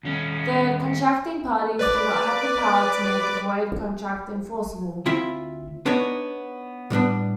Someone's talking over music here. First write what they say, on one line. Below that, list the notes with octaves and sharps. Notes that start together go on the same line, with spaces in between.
The contracting parties do not have the power to make a void contract enforceable.
D#2 C#4
B4 D5 D6
D2 C4 E4 F4 E5
B3 D4 D#4 C#5
A2 G3 B3 D4